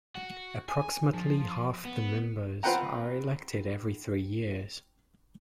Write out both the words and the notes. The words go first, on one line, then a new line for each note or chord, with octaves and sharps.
Approximately half the members are elected every three years.
F#4
G#5
F3
B3
C4 F4 B4 F#5 G5 A#5